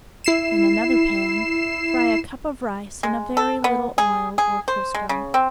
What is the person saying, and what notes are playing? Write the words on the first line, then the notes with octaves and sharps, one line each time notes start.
In another pan fry a cup of rice in a very little oil or crisco.
E4 C7 E7
G#3
A4
B3
G#4
G#4
C5
G#3
C#3
C4